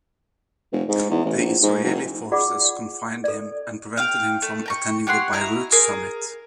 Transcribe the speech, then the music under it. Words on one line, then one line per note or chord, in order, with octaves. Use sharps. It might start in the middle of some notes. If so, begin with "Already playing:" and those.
The Israeli forces confined him and prevented him from attending the Beirut Summit.
F1
G#2
E2
A1
A#1
G#2
F#1
F4 G#4 D5 F#5 D6
A4 D5
F5 G5
A3
G5 A#5 C#6
G4 C#5 F#5 C6
E4 D#5 A#5
G#4 A#4